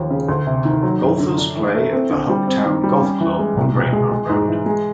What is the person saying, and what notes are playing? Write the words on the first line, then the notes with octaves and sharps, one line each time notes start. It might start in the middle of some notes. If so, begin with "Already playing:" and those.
Golfers play at the Hopetoun Golf Club on Rainbow Road.
Already playing: D#2 F3
C#3
D2
C3
D#3
F#3
F#2
D3
D4
E3
A3
C4
D3
G3
C4
D#3
G3
C#4
E3
G#3
C2
B2
G#3
G#3
G#2
E3
G#3